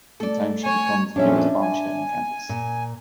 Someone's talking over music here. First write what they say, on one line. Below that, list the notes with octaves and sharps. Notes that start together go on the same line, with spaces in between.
In time she becomes the newest bombshell in campus.
A3 A4 D5
C#5 G#5
F2 A#2 C#4 D4 C#5 E5
G#5
A#2